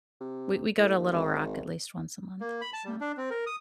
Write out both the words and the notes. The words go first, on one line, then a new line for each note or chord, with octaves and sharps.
We we go to Little Rock at least once a month, so
C3
A2
D#2
G#1
A#3
B5
A5
G3
D4
C4
A#4
D#6